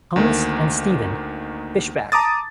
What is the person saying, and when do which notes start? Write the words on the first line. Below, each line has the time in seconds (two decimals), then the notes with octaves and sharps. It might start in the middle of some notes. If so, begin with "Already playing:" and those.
Thomas and Stephen Fishbach.
0.16 D2 D#3 A#3
2.12 A5 A#5 D6 D#6 A6